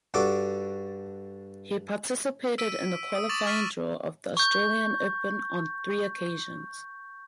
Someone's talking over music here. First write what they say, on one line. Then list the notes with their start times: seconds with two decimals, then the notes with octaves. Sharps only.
He participated in the qualifying draw of the Australian Open on three occasions.
0.14 G2 D4 F#4 A4 D6
2.58 E6 B6 D7 D#7
3.12 D#6 D7
3.29 C#6 D6 A6 E7 F#7
3.46 C#6 F6 A6 B6 D#7
4.37 C#6 G6